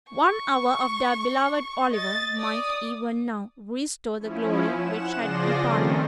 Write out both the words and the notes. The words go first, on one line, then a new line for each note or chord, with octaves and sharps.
One hour of their beloved Oliver might even now restore the glory which had departed.
C#6
D#5 A6
D5 D#6
F3 C#4 E4
F#5 E7
C#3 F3 G#4 D5 C6 A#6
D#3 G3 A3 C4 C#4 A4